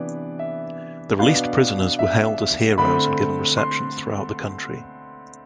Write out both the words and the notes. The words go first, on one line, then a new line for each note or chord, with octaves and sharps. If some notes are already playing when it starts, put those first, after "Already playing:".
The released prisoners were hailed as heroes and given receptions throughout the country.
Already playing: C3 E3 B3 D4 D5
E5
B2 B3 D4 F5
E5
D3 A3 C4 B5
C6